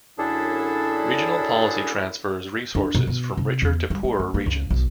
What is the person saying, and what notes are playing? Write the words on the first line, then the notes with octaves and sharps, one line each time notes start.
Regional policy transfers resources from richer to poorer regions.
F#2 D3 D4 E4 G#4 A4
D4
B2
B2
C3
E2
G3
G#3
A3
A#3
C#2
B1